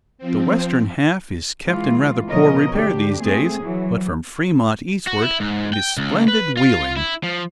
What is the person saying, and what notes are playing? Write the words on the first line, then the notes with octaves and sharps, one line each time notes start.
The western half is kept in rather poor repair these days; but from Fremont eastward it is splendid wheeling.
F3 C4
E3 G#3 F4
B2 F3 A#4 C#5 D#5
D2 D4 G4
A3 C4 G#4
E3 F#3
F#4
E4
G#2
G5
C#2
B4
F4
E4
F3